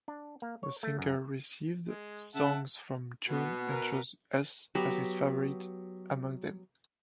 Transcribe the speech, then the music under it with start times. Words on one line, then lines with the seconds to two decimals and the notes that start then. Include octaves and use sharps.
The singer received songs from Jhun and chose "Us" as his favorite among them.
0.08 D4
0.42 A#3
0.63 C#5
0.83 A3
0.99 F#2
1.86 G#3
2.35 C#3 E5 F#5 A5
3.28 B2 B3
3.69 A#4 B4
4.75 F#3 B3 G4